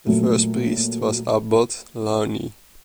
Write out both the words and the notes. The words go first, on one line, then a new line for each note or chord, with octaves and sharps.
The first priest was Abbot Launay.
A#2 F#3 A3